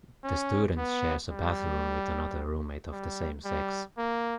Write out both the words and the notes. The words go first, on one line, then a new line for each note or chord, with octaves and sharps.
The student shares a bathroom with another roommate of the same sex.
C#4
B3
G3
G3
G3
A#3